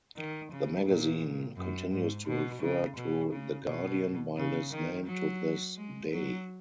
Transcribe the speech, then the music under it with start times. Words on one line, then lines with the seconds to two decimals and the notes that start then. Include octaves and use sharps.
The magazine continues to refer to "The Guardian" by this name to this day.
0.17 D#3
0.52 C#3
0.87 A#2
1.57 F#2
1.92 G#2
2.27 B2
2.62 C#3
2.97 B2
3.32 C#3
3.66 B2
4.37 C#3
4.71 D#3
5.06 F#3
5.76 G#3
6.12 F#3